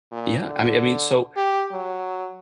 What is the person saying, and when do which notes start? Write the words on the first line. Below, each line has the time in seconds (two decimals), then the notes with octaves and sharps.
Yeah, I mean I mean, so
0.12 A#2
0.44 D3
1.37 G4
1.72 F#3